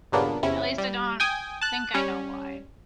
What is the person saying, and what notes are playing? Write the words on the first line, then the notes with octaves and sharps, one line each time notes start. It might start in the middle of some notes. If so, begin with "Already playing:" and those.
At least I don't think I know why.
G2 A#2 C#3 A#3 B3 D4
E2 C3 C#4 E4
G3
G5 G#5 D#6
A5 F#6
G3 C#4